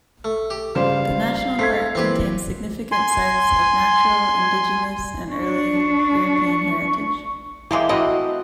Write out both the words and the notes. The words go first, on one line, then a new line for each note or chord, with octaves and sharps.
The national park contains significant sites of natural, indigenous and early European heritage.
A3
G4
G2 C#3 G3 F4 C5 F5 E7
A3 C5 G#6 B6 C7
E3 A#3 C4 G4 B4
G#5 C6
D4 C#6
E3 G#3 A#3 G4
B2 A3 C4 E4 F#4 D#5